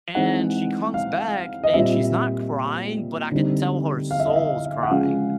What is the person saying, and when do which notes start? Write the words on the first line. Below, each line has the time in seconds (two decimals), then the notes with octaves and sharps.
And she comes back, and she's not crying, but I could tell her soul's crying.
0.15 E3 G#3 C4 D#4 F#5
0.94 F5
1.64 D#5
1.74 A#2 G3 C4 E5
3.31 D3 G3 C4 D#4
4.11 F5
4.20 E5
4.27 D#5
4.36 E5
4.83 F#5
4.90 C#3 F3 G#3 C#4 F5